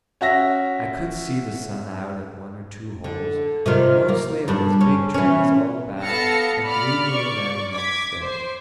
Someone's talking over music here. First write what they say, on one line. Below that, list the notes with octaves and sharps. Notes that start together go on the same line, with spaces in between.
I could see the sun out at one or two holes, but mostly it was big trees all about, and gloomy in there amongst them.
C#4 F#4 E5 A#6
D3
C3 D#3 F4
A#3
G2 D4
C#4
E3 C#4
B3 A4 F5 A5 A#6 C#7
D5 B5 F6
D5 C#6
D6 G#6 B6
C5